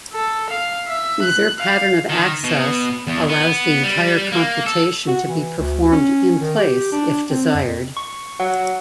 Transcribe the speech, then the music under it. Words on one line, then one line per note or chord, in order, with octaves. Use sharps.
Either pattern of access allows the entire computation to be performed in-place if desired.
A4
F5
E5
F#6
F5
D#3
B2
E2
B3
G3
A#3
A4
F#4
E3
D2
C#4
D#3
G4
D4
C4
F2
C#6
F#3 F#5